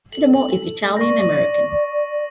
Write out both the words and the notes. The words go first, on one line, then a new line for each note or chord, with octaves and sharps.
Adamo is Italian American.
A4 F#7
D5 C#6 A#6